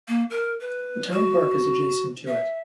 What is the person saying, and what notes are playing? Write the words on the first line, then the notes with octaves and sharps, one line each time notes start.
The town park is adjacent to it.
A#3
A#4
B4
F#4
E5